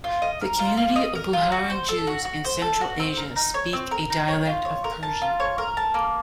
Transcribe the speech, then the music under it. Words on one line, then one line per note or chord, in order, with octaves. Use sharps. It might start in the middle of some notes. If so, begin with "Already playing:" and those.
The community of Bukharian Jews in Central Asia speak a dialect of Persian.
F4
D#5
A#4
F4
F4
D#5
A#4
F4
F#4
C5
A4
F#4
F#4
C5
A4
F#4
C4
A#4
D#4
C#5
C4
A#4
D#4
C#5
F4
C#5
A#4
A5
F4
C#5
A#4
A5
A#3